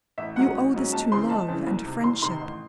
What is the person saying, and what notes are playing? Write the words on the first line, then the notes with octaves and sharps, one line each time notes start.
You owe this to love and friendship.
A1 E5
G#2 F#3 C#4 F#5
A1
G#2 F#3 C#4
C#2 A5
C#3 E3 C4 C6
C#2 A5
C#3 E3 C4
C2
C3 D#3
C2 C6
C3 D#3 C6
A1